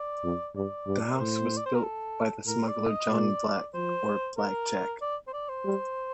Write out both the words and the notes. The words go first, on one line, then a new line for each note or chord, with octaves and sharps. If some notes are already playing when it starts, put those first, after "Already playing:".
The house was built by the smuggler John Black or Black Jack.
Already playing: D5
F2
G2 D5
G2
A#4
A2 C5
D5
C5
A#4
A4
A2 A#4
D5
A2
D#5
A#2 D5
F3 C5
A#4
D5
C5
D5
C5
G3